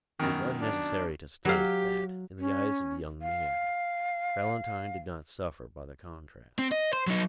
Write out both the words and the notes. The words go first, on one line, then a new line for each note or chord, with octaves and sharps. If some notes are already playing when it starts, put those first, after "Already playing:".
It is unnecessary to state that, in the eyes of the young man, Valentine did not suffer by the contrast.
F#2 B2 D#3
D4
F#3 G4 F5
C#4
F5
C4
D#5
C5
F#3 D#4